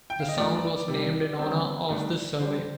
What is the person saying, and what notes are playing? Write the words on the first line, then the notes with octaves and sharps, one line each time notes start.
The sound was named in honour of this survey.
G5
F5
D#5
G2 F3 A3 D5
C3 G3 D4
D3 G3 C4
G2 D#3 A3 D4
D3 G3 D4 C5